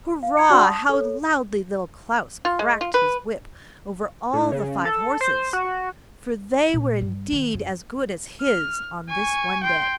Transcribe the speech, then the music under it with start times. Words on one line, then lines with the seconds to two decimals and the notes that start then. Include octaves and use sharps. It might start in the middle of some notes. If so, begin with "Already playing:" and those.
Hurrah! how loudly Little Klaus cracked his whip over all the five horses! for they were indeed as good as his on this one day.
0.23 F5
0.37 B5 G#6 C#7
0.50 D4 F#4 D5 F#5 G5 C6
0.61 A5 D#6
0.89 A4 C#5
2.45 F4
2.59 G#3
2.81 F4
2.94 B4
4.33 A2
4.52 C#3
4.85 A4
5.21 C5
5.53 F#4
6.74 A#2
7.01 G2
7.32 D#3
7.54 F#2
8.42 F6
9.09 G#5 C#6
9.64 G5 C6